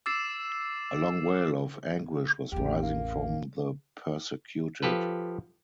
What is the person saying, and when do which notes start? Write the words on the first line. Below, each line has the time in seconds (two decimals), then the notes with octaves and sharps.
A long wail of anguish was rising from the persecuted.
0.06 D6 E6 A6 C7 E7
2.52 A1 E2 G4
2.82 A#3
4.83 F3 G4 A4 B4